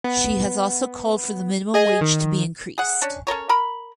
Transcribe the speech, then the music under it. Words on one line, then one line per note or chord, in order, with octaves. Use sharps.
She has also called for the minimum wage to be increased.
B3
G#4 D#5 G#5
D#3
G#4 F#5
C#4 D4
C#4 A4 A#4 C#5
A#4 A#5 B5